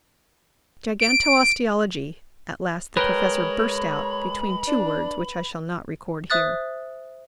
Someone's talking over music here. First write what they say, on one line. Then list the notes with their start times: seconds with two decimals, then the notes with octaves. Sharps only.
"Gigantosteologie," at last the Professor burst out, between two words which I shall not record here.
1.00 D7
2.97 G#3 A#4 B4 C#5 G5 B5
4.67 D4
6.30 C5 E5 D#6 F#6 A6